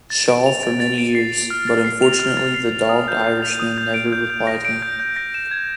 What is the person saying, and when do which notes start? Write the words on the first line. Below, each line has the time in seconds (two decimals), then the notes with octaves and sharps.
Shaw for many years, but unfortunately the dogged Irishman never replied him.
0.10 A6
0.28 D7
0.46 F7
0.63 A6
0.80 A6
0.98 D7
1.15 C7
1.32 F7
1.50 F6
1.67 A6
1.85 C7
2.02 F7
2.20 F6
2.37 A6
2.54 C7
2.72 F7
2.89 D#6
3.08 G6
3.24 C7
3.43 F7
3.60 D#6
3.78 G6
3.94 D7
4.12 G6
4.30 G6
4.47 A#6
4.65 D7
4.82 G6
5.00 G6
5.16 A#6
5.34 E7
5.51 G#6